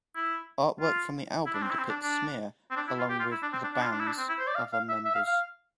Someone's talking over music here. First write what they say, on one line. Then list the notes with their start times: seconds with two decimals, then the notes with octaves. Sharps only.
Artwork from the album depicts Smear along with the band's other members.
0.15 E4
0.81 F4
1.46 E4
1.54 D4
1.62 C4
1.70 E4
1.79 C4
1.90 D4
2.01 D4
2.71 C4
2.76 D4
2.88 E4
2.99 F4
3.10 G4
3.20 F4
3.31 E4
3.43 D4
3.53 C4
3.64 D4
3.74 D4
3.82 F4
3.91 D4
4.00 E4
4.07 D4
4.18 C4
4.29 E4
4.39 C5
4.47 D5
4.55 F5
4.73 F5
4.89 E5
5.05 E5
5.15 F5
5.27 F5